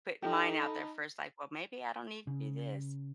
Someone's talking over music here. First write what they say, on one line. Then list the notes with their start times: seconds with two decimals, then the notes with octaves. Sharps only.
put mine out there first, I "Well maybe I don't need to do this,
0.22 D#4 G4 A4 G5
0.60 A5 B5
2.27 C#3